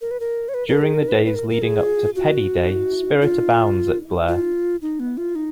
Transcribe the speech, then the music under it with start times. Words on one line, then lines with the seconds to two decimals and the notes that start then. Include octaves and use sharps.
During the days leading up to Peddie Day, spirit abounds at Blair.
0.01 A#4
0.11 B4
0.20 A#4
0.49 C#5
0.54 B4
0.68 A#4
0.82 G#4
0.94 A#4
1.08 B4
1.26 B4
1.35 A#4
1.50 A#4
1.62 G#4
2.15 F#4
3.22 F4
4.28 F4
4.82 D#4
5.00 B3
5.18 F4
5.35 D#4